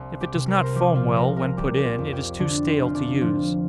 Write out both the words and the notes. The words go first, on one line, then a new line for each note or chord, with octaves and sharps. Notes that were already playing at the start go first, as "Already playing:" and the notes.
If it does not foam well, when put in, it is too stale to use.
Already playing: C2
G4
C3
A#4
C5
A#4
F3 G4
F4
C2 A#4
A#4
G3 G4
G4
F4
F2
G4
D3 D4
C4
F1 F4
D4
F3